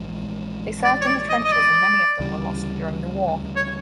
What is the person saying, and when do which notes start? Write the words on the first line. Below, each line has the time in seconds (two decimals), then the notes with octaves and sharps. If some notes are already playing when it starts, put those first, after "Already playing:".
They served in the trenches and many of them were lost during the war.
Already playing: A#1 G#2 E3 G#3
0.84 D5
1.01 C#5
1.07 D5
1.29 D#5
1.45 D#5
1.52 D5
2.20 D2 C#3 E3 G3
3.56 C#5